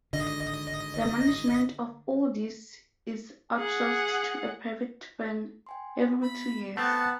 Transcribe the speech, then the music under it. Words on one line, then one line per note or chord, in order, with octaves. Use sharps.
The management of all these is outsourced to a private firm every two years.
G#1 D3 D#5 A#6
G#4 F#5
G5 G#5 C6
B3 B5
A3 B3 C4 F#5 G5 A5 A#5